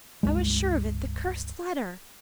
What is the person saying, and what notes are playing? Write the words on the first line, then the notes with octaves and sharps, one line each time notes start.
"I was sure of it--the cursed letter!"
G1 C#2 G#3